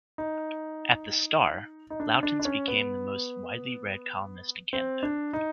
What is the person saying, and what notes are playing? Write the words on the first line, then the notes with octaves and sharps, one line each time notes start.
At the "Star", Lautens became the most widely read columnist in Canada.
D#4
D#4
D4
D4
D4
C#4
B3
C4
D4
D#4